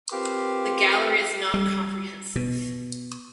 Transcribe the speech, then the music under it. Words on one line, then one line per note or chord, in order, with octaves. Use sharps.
The gallery is not comprehensive.
C4 F4 G4 A#4 B4
G3
B2